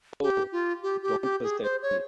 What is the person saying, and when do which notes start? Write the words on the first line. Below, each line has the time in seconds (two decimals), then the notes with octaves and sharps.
Oh, don't fuss at me!
0.22 G4
0.52 F4
0.83 G4
1.03 G4
1.22 G4
1.43 G#4
1.62 C5
1.82 C#5